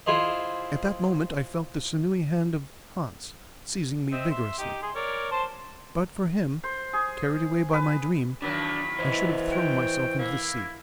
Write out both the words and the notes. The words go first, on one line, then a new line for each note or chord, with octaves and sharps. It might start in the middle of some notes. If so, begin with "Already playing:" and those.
At that moment I felt the sinewy hand of Hans seizing me vigorously. But for him, carried away by my dream, I should have thrown myself into the sea.
E4 F4 G#4 C5 D#5
C4 D#5 E5
E5 C6
D#4 G4
G#4 C6
A#4 C#5 D5
C5 A5 C6
C5
G#4
B4
E2 D#3 F#3 D4 B5
E3 C5 C#5 D#5
G5
A#3 E4